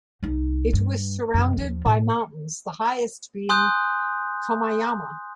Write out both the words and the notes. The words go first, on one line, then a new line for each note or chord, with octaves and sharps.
It was surrounded by mountains, the highest being Komeyama.
C2 D#4
G2
F#2 C3
D#2 F3
A2
G#5 C6 D#6 F#6 G6